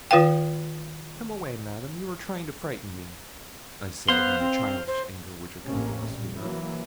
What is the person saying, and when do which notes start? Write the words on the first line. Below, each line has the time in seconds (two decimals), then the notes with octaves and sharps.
'Come away, Madame! you are trying to frighten me,' I said, in the childish anger which accompanies fear.
0.11 D#3 F4 B4 F5 G5
4.09 B3 C5 F5 C6
4.39 C4
4.87 C5
5.65 A1 A2 C3 A#3 C#4
6.08 A#2 G3
6.38 E3 F#3 A#3